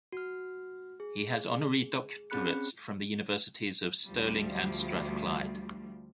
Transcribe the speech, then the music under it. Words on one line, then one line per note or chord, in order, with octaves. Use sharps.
He has honorary doctorates from the Universities of Stirling and Strathclyde.
F#4 F6
G#4
C4 C#4 G#4 B5 F#6 C#7
D2 F3 G3